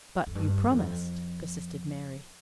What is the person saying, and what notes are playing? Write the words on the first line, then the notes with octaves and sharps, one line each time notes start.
"But you promised," persisted Mary.
F2
G2
E2
F2